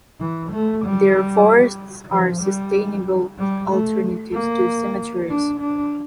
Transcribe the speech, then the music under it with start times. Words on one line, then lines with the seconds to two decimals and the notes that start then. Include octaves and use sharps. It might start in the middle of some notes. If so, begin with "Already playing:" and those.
Their forests are sustainable alternatives to cemeteries.
0.20 E3
0.52 A3
0.85 G3
2.10 F3
2.42 G3
3.39 G3
3.69 A3
4.33 A#3
5.29 D4
5.60 D4